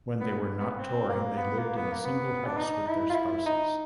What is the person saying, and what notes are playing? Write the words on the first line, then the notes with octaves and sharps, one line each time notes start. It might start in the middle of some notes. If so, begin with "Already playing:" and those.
When they were not touring, they lived in a single house with their spouses.
B3
B3
C4
A#3
B3
A#3
B3
A#3
B3
D4
D#4
E4
F4
E4
D#4